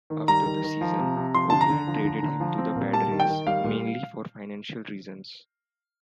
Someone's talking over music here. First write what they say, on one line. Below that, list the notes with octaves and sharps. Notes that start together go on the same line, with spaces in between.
After the season, Oakland traded him to the Padres, mainly for financial reasons.
D#3
G3 A#5
D#3
D#3
F3
C3
C3
F3 C6
D3 A5
A#5
D3
F3
D3
D3
F3
C4
A#2
G3 A5
D#3
G5
D#3
G3 F5
A#2